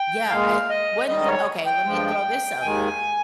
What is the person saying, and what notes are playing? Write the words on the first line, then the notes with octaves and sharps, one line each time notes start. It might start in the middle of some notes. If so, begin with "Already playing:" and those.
Yeah, I when okay, lemme throw this out there.
Already playing: G5
A#2 G#3 F5
D#5
G#2 D#3 G3 D#5
C#5
G5
G2 F3 G#3
D#2 D#3 G#3 G#5